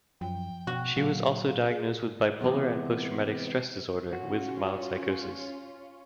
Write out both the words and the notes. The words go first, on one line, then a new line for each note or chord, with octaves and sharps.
She was also Diagnosed with bipolar and post traumatic stress disorder with mild psychosis.
F#2 F3 G5
B2 F#4
A#2 F#3 F5
G#4
C3 E3 G#3 B3
C#4 F4 F#4